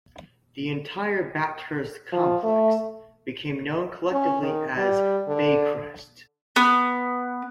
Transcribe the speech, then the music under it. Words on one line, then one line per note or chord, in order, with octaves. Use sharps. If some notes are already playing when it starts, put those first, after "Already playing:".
The entire Bathurst complex became known collectively as Baycrest.
F3
A3
C#4
D#3
G3
D3
B3